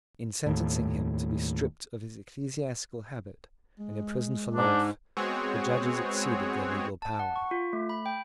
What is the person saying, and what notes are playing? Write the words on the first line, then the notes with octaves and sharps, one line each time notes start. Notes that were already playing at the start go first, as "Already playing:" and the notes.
In sentencing him to be stripped of his ecclesiastical habit and imprisoned for life, the judges exceeded their legal power.
D#2 A2
G#3
G#2 D4
G#3 B3 C4 F#4 G#4 C#5
A5
F#5
C#6
F4
A3
B5
G5